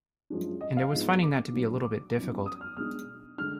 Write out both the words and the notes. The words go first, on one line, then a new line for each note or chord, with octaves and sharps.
And I was finding that to be a little bit difficult.
F#2 F3 G#3 D4
D#5
F5
G#2 F3 G#3 B3 D4
D6
A#2 F#3 D4
D6
F#2 F3 B3 D#4
D#6
F6
B2 G#3 D4 F6
D3 G#3 D4 F6